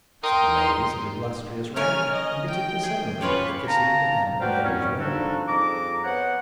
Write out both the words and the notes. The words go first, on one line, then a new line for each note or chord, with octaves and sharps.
Some ladies of illustrious rank omitted the ceremony of kissing the hem of Mary's robe.
D#4 A#4 G5 C6
C#4 A#4 C#5 G#5 F6
D#5
G5
G#4
C#4 F4 B4 C#5 D5
F5 G5 A5 A#5
F#4 B4 C5 D5 F5 G5
D#2 A2 G3 C4 C#4
F3 G3 D4 D#4 F#4 A4
F2 G#4 A#5 D6
B3 C5 C#5 F#5